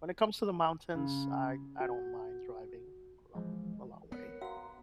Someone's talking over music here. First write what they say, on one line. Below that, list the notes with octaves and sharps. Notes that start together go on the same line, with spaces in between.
when it comes to the mountains, I I don't mind driving a long a long way.
C#3
F#4 G6
E3 F3 G#3
B3 A#4 C#5
F#4 F5 F#5 A#5 C6